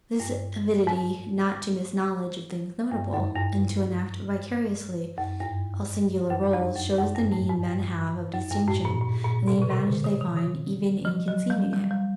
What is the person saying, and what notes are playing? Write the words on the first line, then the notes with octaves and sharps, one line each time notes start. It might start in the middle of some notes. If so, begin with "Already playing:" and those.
This avidity not to miss knowledge of things notable, and to enact vicariously all singular roles, shows the need men have of distinction and the advantage they find even in conceiving it.
G2
G#2
G2
F#2
G2
F#2
G2
F#2
F2
F#2
F#2
G2
A2
G#2
G2
F#2
G2
A2
A#2
A#2
A#2
B2
C#3
C3
D3
D#3
D#3
D#3
F3
F#3
G3
G3
G3